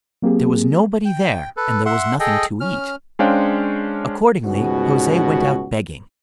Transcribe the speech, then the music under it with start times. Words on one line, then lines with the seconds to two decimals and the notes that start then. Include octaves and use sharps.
There was nobody there and there was nothing to eat. Accordingly, Jose went out begging.
0.22 F#3 A#3 C4 G4 G#4
1.05 G5
1.57 A4 B4
1.86 E5 F#5 C6
2.20 G#4 A4 D#5 G5
2.60 C#4 F6
3.19 G#3 C#4 D4 C5 F5 G5
4.45 C#2 G#2 B2 G3 C#4 F#4